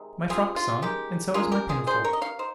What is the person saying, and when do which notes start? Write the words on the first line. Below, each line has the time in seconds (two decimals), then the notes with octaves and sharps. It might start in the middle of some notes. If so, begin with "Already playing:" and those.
"My frock's on, and so is my pinafore."
Already playing: C3 D#3 G#3
0.30 C#3 G3 C4 F4 G#4
0.56 F4
0.82 D#3 G#3 C#4 G4
1.34 D#3 A#3 C#4 F4 G#4
1.52 G4 A#4
1.69 F4 G#4
1.87 D#3 G3 C#4 G#4 C5
2.04 A#4 C#5
2.13 D#5
2.22 C#5 F5
2.39 D#4 C5